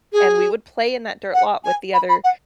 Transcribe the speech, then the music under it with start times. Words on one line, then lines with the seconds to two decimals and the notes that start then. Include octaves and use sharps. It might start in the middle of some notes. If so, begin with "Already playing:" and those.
and we would play in that dirt lot with the other
0.12 G#4
1.33 F#5
1.64 G#5
1.93 B5
2.09 B5
2.24 F#5